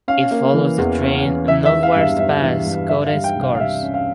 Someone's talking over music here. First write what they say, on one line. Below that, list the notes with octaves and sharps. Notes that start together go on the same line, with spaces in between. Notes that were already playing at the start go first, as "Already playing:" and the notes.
It follows the drain northwards past Coates Gorse.
C#4 F5
A#3
E3
E2
C#4
E2
E3 E5
E5
E3
F5
G2
E5
G2 E5
E3
G2
G3 E5
F5
G3
G5
C2
F5
F5
G3 E5
C#4
F5